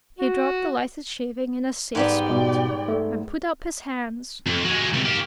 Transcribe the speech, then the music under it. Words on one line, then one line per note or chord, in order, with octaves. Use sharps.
He dropped the lighted shaving in a safe spot and put up his hands.
F#4
G#2 G3 B3 D5 G5
B2
A3
F2
F#3 G#3
C#2 C3
A#3 G4